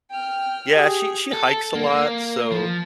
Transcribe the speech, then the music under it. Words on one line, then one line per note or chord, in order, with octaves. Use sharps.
Yeah, she she hikes a lot, so
G5 F6
G4 G#4
A4
A#3
F3